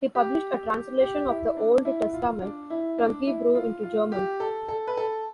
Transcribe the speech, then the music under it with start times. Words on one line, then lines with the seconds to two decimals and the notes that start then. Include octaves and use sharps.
He published a translation of the Old Testament from Hebrew into German.
0.15 G4
1.00 G4
1.28 E4
1.57 D4
1.85 E4
2.14 F4
2.42 D4
2.70 E4
2.98 D4
3.27 E4
3.55 F4
3.83 F4
4.12 G4
4.40 A4
4.68 A4
4.87 B4
4.97 A4